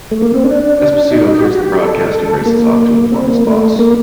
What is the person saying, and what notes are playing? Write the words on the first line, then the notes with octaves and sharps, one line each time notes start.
Esposito hears the broadcast and races off to inform his boss.
A3
A#3
C4
D4
D#4
G4
F#4
F#4
G4
A4
A#3
C4
A#3
A3
A#3